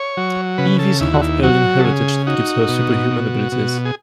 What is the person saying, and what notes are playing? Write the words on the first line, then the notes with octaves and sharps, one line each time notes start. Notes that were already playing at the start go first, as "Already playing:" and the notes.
Evie's half-alien heritage gives her superhuman abilities.
Already playing: C#5
F#3
C#3 B4
A4
D#2 E4
F#4
E4
F#3 F#4
A4
C#3 G#4
D#4 F#4
B2
B2
B2
G#4